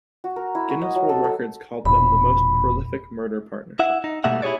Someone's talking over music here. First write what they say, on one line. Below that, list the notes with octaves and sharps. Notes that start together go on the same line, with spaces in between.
Guinness World Records called them the "most prolific murder partnership".
F#4
A#4
E4
F#4
D#5
F#3
A4
A4
E1 A#2 B5
E4 E5 F#5
D#4
B2 G3 A3 A#3 E5 F#5
E4 G4 G#4 C#5 D5